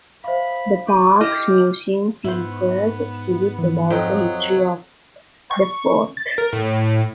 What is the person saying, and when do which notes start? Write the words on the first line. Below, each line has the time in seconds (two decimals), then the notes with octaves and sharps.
The park's museum features exhibits about the history of the fort.
0.24 C5 E5 F5 B5
0.87 D5 C#6 G6 D#7
1.21 E4 G4 D#5 F6 E7
2.24 G#2 B3 E4 C5
3.59 E3 F3
3.90 F2 F#3 C5 D#5 G5
5.51 C#6
6.17 A6
6.38 A#4
6.52 A2